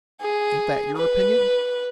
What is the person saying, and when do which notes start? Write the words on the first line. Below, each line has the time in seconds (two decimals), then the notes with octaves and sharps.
Ain't that your opinion?'
0.21 G#4
0.97 B4